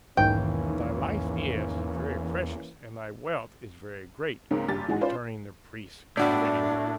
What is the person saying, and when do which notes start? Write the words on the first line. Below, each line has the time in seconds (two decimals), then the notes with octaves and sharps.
'Thy life is, very precious, and thy wealth is very great,' returned the priest, grinning.
0.17 B1 E2 G#2 D#3 E3 A#3 C#4 G5
4.51 C#2 G#2 C#3 A#3 C4
4.68 F#1 G2 G4 A6
4.88 E3 G#3 D#4 F#4 G#4
5.01 C#4 F4 B4 C5 D5
6.17 A2 B3 D4 F#4 D5